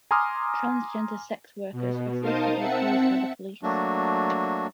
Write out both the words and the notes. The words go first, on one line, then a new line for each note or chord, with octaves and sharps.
Transgender sex workers are frequently abused by the police.
G#5 A#5 C6 D6 D#6 F6
B2
D#4 A#4 C5 F5 A5 D#6
C4 E5 F#5 A5 C#7
F#3 A3 A#3 D4 F#4